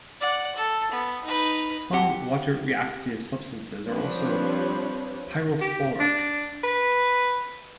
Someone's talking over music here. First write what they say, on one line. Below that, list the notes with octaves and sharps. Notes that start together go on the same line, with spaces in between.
Some water-reactive substances are also pyrophoric.
D5 F#5
A4
B3
D#4 B4
C4 G4 F#5
F3 G3 C4 D4 B4 C#5
G4
D4
B4